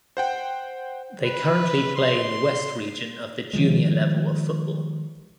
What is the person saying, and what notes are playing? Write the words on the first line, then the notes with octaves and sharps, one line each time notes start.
They currently play in the West Region of the Junior level of football.
C5 F#5 G5
B4
C6
D#3 F3 G#3